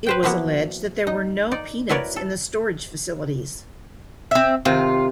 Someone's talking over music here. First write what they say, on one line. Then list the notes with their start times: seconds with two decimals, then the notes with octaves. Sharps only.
It was alleged that there were no peanuts in the storage facilities.
0.06 B4 C5 G5
0.23 F3 A#3 B3 E4 F#4
1.07 D#4
1.51 D#4 D5
1.89 E4 F#4 A#4 B4 C#5 D5
2.16 A4
4.31 C4 E5
4.65 C3 D#3 F4